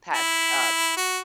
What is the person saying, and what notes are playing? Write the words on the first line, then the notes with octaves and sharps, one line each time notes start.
past, uh,
E4
F#4